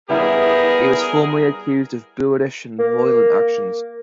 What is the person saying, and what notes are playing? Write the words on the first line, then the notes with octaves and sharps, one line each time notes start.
He was formally accused of boorish and violent actions.
G3 B3 E4 G#4 A#4
A#3